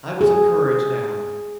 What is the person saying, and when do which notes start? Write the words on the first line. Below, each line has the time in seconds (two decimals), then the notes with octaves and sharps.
I was encouraged now.
0.21 G#4